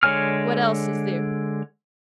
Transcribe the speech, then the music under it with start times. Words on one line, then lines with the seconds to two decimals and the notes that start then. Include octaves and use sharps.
"What else is there?"
0.03 D3 G#3 C#5 G#5 F6